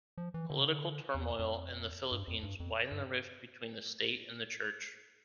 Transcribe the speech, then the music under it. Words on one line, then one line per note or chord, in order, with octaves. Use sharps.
Political turmoil in the Philippines widened the rift between the State and the Church.
F3
E3
D3
C3
D3
E2
F2
G2
F2
G2
F2
G2